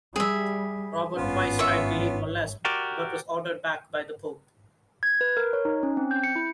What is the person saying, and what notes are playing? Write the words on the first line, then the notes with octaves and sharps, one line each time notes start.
Robert twice tried to leave Molesme but was ordered back by the Pope.
G3 G#4 E5
G#1 G2 B3 C#4 F4
C#5 E5 C#6
F#4 G4 A#4 D5
G#6
B4
A#4
C#5
D#4
C#4
C4
G6
C#7
E4